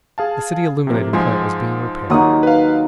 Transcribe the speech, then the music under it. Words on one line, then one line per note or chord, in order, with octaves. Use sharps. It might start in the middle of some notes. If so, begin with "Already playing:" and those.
The city illuminating plant was being repaired.
G#4 F5 A5
C3 F3 A#3
G#2 F3 G#3 G#5 C6
D#2 F#3 D#4 F#5 D#6
B4 F5